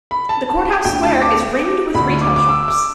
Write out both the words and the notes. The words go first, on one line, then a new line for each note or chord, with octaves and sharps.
The Courthouse Square is ringed with retail shops.
B5
A5
D2 D3 G5
A5
D6
D6
D2 D3 B5
D6
D6
E6
D6